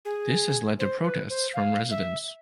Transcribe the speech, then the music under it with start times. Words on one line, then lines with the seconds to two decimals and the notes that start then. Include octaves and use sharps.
This has led to protests from residents.
0.05 G#4
0.79 C5
1.04 B4
1.29 C5
1.54 F5
1.91 E5